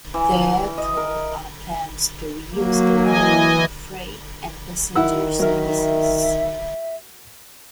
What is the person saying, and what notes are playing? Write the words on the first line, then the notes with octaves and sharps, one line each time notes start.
There though are plans to reuse the line for freight and passenger services.
E3
D#5
A#4
F#3 A#3
E3 D#5 G#5
D#3 E4 F#5 E6
F#3 A#4 E5